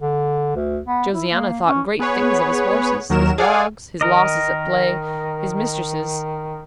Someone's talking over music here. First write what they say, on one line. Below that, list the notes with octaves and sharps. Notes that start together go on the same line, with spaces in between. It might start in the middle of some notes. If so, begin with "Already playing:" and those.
Josiana thought great things of his horses, his dogs, his losses at play, his mistresses.
D3
D2
B3
E4
A#3
C#4
B3 G#4 B4 C#5
D#2 D#3 F#3 A#4 E7
G#4 A4 D5 F5 F#5 G#5
D#3 A#4 D#5